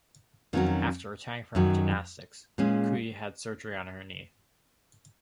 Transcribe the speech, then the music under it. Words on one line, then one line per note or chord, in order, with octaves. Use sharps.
After retiring from gymnastics, Kui had surgery on her knee.
F2 D#3 F#3 C#4 F#4
F#2 D#3 F#3
A#2 G#3 C#4